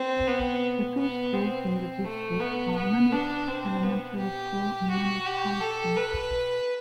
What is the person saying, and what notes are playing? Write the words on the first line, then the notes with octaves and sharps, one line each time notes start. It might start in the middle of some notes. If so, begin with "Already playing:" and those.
The two schools in the district are Munich Elementary School and Munich High School.
Already playing: C4
B3
B3
C4
C4
A3
B3
B3
D4
C4
B3
G4
F#4
G4
A4
B4